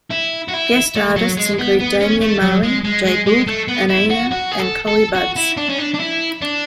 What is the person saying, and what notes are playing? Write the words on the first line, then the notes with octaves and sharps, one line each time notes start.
Guest artists include Damian Marley, J Boog, Anuhea, and Collie Buddz.
E4
F#4
E4
A3
F#3
G#3
B3
B3
C#4
A3
F#3
G#3
G#3
G#3
G#3
A3
B3
E4
F#4
F#4
G#4
A4
A4
F#4
E4
D4
C#4
D4
D4
E4
D4